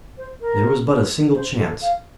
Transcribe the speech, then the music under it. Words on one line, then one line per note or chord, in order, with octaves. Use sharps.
There was but a single chance.
C5
A#4
C5
A4
F5